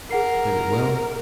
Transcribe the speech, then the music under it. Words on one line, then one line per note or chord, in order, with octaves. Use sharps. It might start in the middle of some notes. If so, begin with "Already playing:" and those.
Very well.
G#4 A#4 F#5 C7